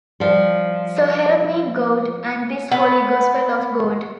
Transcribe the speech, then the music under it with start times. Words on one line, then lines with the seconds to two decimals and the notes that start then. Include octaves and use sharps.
So help me God and this holy Gospel of God.
0.20 F3 G3
2.72 B3